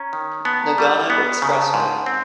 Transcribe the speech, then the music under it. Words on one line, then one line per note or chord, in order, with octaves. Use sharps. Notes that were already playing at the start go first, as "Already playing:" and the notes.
Nagano Expressway.
Already playing: C#4 A#5
D#3
B3 A5
A#5
G3 C#6
C#6
B3 C#6
B5
C#3 A#5
A5
G#2 F#5
F#5
C4